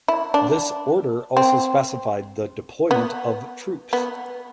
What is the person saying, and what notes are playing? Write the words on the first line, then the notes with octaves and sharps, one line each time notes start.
This order also specified the deployment of troops.
E4
D4
C4
B3
B3